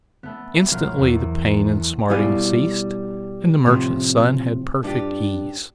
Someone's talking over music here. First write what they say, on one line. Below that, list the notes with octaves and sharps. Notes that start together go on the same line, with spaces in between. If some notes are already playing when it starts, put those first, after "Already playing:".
Instantly the pain and smarting ceased, and the merchant's son had perfect ease.
A3 B3
A#1 F#3 F4 A#4
E2
B2 G3 E4 F5 G#5
A2 C3 E3 F3
G2 D4 F4 G4